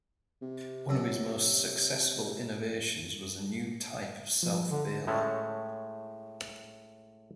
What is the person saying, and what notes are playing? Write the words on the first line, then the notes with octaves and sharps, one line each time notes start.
One of his most successful innovations was a new type of self-bailer.
C3
C3 F#3 A4
F3
D3
A2 G#3 A3 C#4